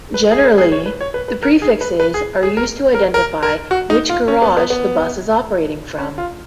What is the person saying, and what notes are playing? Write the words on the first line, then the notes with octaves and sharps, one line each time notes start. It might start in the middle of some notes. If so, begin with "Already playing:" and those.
Generally, the prefixes are used to identify which garage the bus is operating from.
B4
G#4
A#4
G#4
C#5
B4
C#5
B4
B4
A#4
G#4
B4
B4
G#4
G#4
A#4
A#4
A#4
A#4
F#4
D#4
F4
C#4
B3
B3
B3
C#4
F4